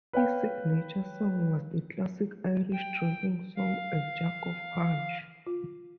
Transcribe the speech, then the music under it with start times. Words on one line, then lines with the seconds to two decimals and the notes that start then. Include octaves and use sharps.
His signature song was the classic Irish drinking song, A Jug of Punch.
0.13 B4 C#5 F5 G5
2.73 G5
3.56 F5
5.47 F4